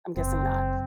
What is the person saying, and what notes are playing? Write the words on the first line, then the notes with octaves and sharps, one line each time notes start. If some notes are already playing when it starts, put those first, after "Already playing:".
I'm guessing not.
F#1 C4